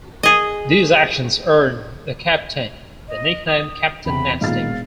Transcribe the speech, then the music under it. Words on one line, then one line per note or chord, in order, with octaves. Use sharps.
These actions earned the captain the nickname "Captain Nasty".
G#4 D#5
D#5
D#6
E2 C3 B5
E1 A#2 D#3 F5 A6